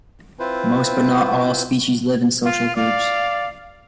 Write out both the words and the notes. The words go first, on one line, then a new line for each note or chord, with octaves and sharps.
Most, but not all, species live in social groups.
C4 E4 F4 B4 C5
F4
D5 F5